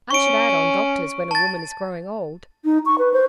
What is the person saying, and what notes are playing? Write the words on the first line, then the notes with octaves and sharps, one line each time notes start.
I should add on doctors when a woman is growing old.
C#4 C#6 D7
A5 A6
D#4
C#6
B4
C5